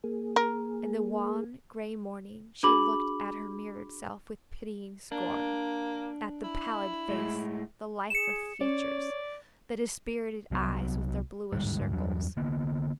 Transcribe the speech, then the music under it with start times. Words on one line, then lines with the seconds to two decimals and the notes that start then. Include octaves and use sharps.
In the wan, grey morning she looked at her mirrored self with pitying scorn--at the pallid face, the lifeless features, the dispirited eyes with their bluish circles.
0.04 A#3 G#4
0.36 A#4
2.63 D4 F#4 G#4 B5 D6 F#7
5.12 A#3 D4
6.44 E4
7.09 A2 G#3
8.10 G#4 C#7 E7
8.61 C#4 C#5 D5
10.51 C2 F#3 A3 B3
11.53 D1 G1 G#2 G3
11.92 E2 G2 F#3
12.37 D3 A#3 B3